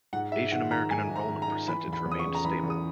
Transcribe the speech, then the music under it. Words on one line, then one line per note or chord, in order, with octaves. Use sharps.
Asian American enrollment percentage remained stable.
G#2 F#5
G#2 E5
D#3 F#5
D#3 A#5
G#2 G#5
G#2
A#5
D#3
A#5
D#3
E3 B5
E2
B5
E2
D#6
C#6
C#3
A#5
E3 B5
E2
D#6